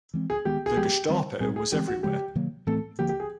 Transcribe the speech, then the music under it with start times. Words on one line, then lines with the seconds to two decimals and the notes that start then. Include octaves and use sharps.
The Gestapo was everywhere.
0.14 E3 G#3 C4
0.30 G#4
0.45 D#3 G#3 B3 G4
0.66 G#4
0.77 F3 G#3 B3 G4
1.09 D#3 G3 C4
1.40 A#2 G3 C4 G#4
1.56 G#4
1.72 E3 G#3 C4 G4
1.87 F#4
2.03 C#3 F3 G#3 G4
2.35 C3 D#3 F#3 A#3
2.67 A2 E3 A3 C4 A4
2.99 D3 F3 A#3 G4
3.09 G4
3.20 G#4